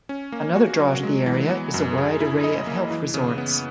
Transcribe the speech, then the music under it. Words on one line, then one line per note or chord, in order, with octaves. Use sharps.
Another draw to the area is a wide array of health resorts.
C#4
A#3
F#4
F#3
G#3
E3
B3
F#2
G#4
E4
D#5
A#3
E3
C#3
B3